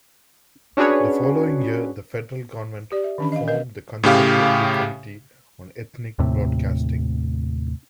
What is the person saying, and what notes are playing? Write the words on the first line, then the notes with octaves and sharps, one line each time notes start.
The following year, the Federal Government formed the Consultative Committee on Ethnic Broadcasting.
C#4 D4 F#4 G#4 B4 C#5
G4 D5
E5
D#3 E3 C#4 D4 B5
D#5 F5
A#4 B4 D#5
A2 C#3 G4 F5
D#2 A2 C3